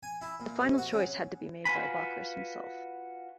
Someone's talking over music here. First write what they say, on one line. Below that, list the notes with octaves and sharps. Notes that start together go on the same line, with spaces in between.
The final choice had to be made by Bockris himself.
G#5
E4
A#2
C3
F#4
C#3
F4 F#4 B4 G#5 B5